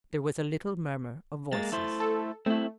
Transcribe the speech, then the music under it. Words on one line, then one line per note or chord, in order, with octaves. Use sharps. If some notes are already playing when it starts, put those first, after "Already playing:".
There was a little murmur of voices.
G#3 A#3 A6
A3 E4 C5
A4
A3 C4 E4